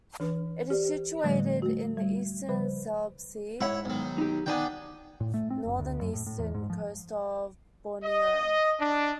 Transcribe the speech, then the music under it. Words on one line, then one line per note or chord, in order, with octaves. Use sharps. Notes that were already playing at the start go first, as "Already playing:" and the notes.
It is situated in the eastern Celebes Sea, off the north-eastern coast of Borneo.
E3 D4 B4
G4 C5 D5
A2 D3 F3 G3 A3
A3 F#4
G3
C#3 F3 G3 B4 C5 B5
G#2 E4 C#5 F#5 B5
B1 D#3
D#4 G4
D#3 B3 D4 D#4 G5 G#5
A2
A3
C4
F#1
D2
F#2
A2
A2
E2
G#2
F3
D#5
D4